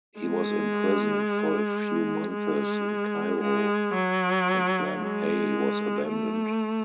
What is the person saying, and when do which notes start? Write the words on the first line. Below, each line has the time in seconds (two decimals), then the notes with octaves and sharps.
He was imprisoned for a few months in Cairo and Plan A was abandoned.
0.20 G#3
2.34 G#3
3.41 G#3
3.94 F#3
5.00 G#3
6.08 A3